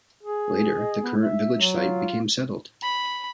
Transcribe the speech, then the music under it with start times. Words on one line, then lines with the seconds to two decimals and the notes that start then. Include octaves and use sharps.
Later, the current village site became settled.
0.23 G#4
0.77 D#5
1.02 B3
1.22 E5
1.55 F#3
1.73 F4
2.83 B5